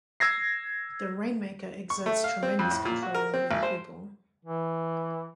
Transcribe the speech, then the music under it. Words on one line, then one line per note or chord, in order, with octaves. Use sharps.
The rain-maker exerts tremendous control over the people.
E6 G#6 A#6 C7
C#6
A3
F5
C4
F2
A2
A#2
F#4
A#4
C4
G#1
C5
E3